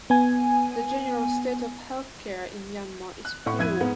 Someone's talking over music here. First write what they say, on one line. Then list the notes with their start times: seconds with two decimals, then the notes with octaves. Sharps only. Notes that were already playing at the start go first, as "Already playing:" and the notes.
The general state of health care in Myanmar is poor.
0.10 B3 G#5
3.25 F#6
3.46 A2 F#5 C#6
3.59 F2 E4 G#6 D#7
3.81 G#2 B3 F#5